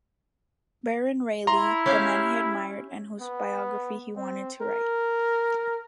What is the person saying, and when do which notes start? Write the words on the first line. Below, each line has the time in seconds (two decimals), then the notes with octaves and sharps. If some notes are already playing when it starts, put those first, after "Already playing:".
Baron Rayleigh, the man he admired and whose biography he wanted to write.
1.47 E4 A#5 C6
1.86 C#4 G4 F5
3.20 B3
4.16 C4
4.62 A#4